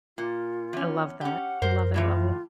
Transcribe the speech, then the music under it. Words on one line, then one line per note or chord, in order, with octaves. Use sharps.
I love that, love it, love it.
A#2 F4
E2 C#4
C#4 G4 F#5
F#2 A#4 C5
A2 D#3 E3 F4